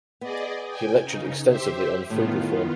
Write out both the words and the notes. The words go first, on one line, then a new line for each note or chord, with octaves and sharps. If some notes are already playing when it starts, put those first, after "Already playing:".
He lectured extensively on food reform.
B3 G#4 D5 D#5
G5 G#5
C#3 D#4
G4 C5 E5
A2 D#3 B3 F4